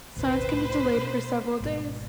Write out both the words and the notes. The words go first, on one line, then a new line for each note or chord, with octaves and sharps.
Signs can be delayed for several days.
A1 D#2 B2 B4 C5
C2 A2 A3
B2
G#1 G#2 B2